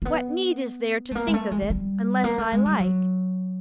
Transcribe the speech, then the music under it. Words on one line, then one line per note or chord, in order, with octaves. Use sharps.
What need is there to think of it, unless I like?
A#3
B3
A3
A#3
G#3
A3
G#3
G#3
G3
A#3
A3
G#3
G3
F#3